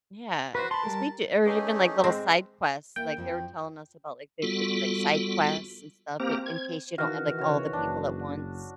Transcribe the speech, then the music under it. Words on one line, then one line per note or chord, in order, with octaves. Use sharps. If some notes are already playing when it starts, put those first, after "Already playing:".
Yeah, 'cause we do or even, like, little side quests, like, they were telling us about, like, there could be, like, side quests and stuff in in case you don't have, like, all the people at once.
F#4 B4 C5
A5 B5 C6
G3 A#4
A3 C#4 D#4 G4 G#4 B4 D#5 G#5
G#3 C4
A#3 E4 G5
F2 F3 C4
G3 B3 F4 F#4 A4
A#3 C4 G4 A#5
G#6
D#3 E3 F#4 F5
C#3 F#4 C#5
F#1 D4